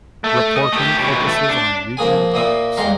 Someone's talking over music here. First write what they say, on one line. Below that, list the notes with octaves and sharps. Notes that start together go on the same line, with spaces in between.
Reporting focuses on regional topics.
A3
D#5
A3 G4
D#2 B2
A3
D4
F3 A#3 G#4 G#5
A#2 A#3 E4 D#6
E2 G3 G#3 F5 A#5